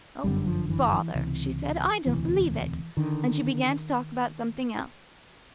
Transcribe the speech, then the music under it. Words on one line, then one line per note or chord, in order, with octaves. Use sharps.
"Oh, bother!" she said; "I don't believe it!" and she began to talk about something else.
G1 F#2 D3 G3
F3
E3
E3
C#2 C3 E3
E1 D2 C3 E3
D3 D#3